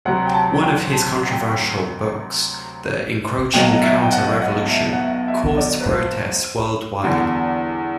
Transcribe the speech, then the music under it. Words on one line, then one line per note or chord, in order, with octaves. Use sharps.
One of his controversial books, "The Encroaching Counter Revolution", caused protests worldwide.
D2 C3 F#3 F#5
G5
A5
G5
A5
F#5
G5
F#5
G5
B1 B2 F#3 G5
E5
G5
F#5
F#5
E5
F#5
E5
E5
D5
B4
C5
E2 D3 G3